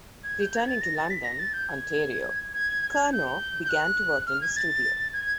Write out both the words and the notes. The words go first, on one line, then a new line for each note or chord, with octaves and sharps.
Returning to London, Ontario, Curnoe began to work in the studio.
G#6
G6
G#6
A6
A#6
A6
B6
A#6
A6
G6
G#6
G#6
G6
G6
F#6
F6
G#6
A6
G#6